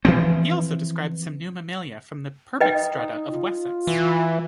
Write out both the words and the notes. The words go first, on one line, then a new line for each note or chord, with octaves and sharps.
He also described some new mammalia from the Purbeck strata of Wessex.
E3 F3 C4
D#4 B4 D#5 G5
F4
E3